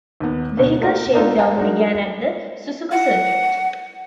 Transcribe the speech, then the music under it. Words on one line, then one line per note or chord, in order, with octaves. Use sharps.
Vehicle shakedown began at the Suzuka Circuit.
D#2 B3
D2 B2
A3 A#3 D#4 F4 A#4 D5
A#3 B3 D4 D#4 F4 A4
C5 D#5 F5 F#5 A5 A#5
G#3 D4 D#4 F#4 A#4
F#5